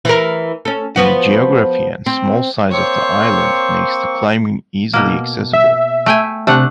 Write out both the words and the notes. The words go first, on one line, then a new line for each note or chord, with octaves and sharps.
The geography and small size of the island makes the climbing easily accessible.
E3 A#4
C#4 A4
F3 B3 F#4
C4
A#3 C4 C5 C#5 C#6
B2 A#3
E5
A3 G5 G#5
C3 A3 D4 F#5